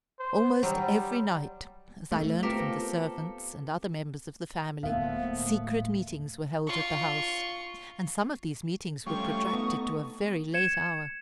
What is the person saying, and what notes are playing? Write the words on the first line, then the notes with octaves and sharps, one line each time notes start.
Almost every night, as I learned from the servants and other members of the family, secret meetings were held at the house; and some of these meetings were protracted to a very late hour.
C5
F#3 G3
A3
B3 C4 F4 G4 A4 A#4
D1 A2 F3 A#3 B3 E5 F5
F4 C#6
F3 G3 A3 C#4 C#6
B3 D#4
G#6 C#7 E7